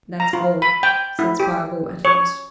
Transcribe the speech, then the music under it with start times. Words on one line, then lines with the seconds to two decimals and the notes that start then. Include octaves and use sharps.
"That's all," said Spargo at last.
0.20 A#5
0.33 F4
0.62 B5
0.83 G5
1.19 E4
1.40 G4
2.05 C#5